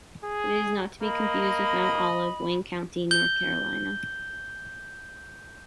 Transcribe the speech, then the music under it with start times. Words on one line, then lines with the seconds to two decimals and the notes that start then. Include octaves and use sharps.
It is not to be confused with Mount Olive, Wayne County, North Carolina.
0.24 G#4
1.02 A#3 D#5 B5
3.11 G6 G7